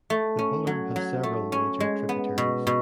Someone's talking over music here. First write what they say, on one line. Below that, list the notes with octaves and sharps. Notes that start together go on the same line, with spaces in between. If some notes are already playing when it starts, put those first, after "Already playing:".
The Buller has several major tributaries.
A3
C#4
F#3
F#3
A3
C#4
G#3
B3
B2
B2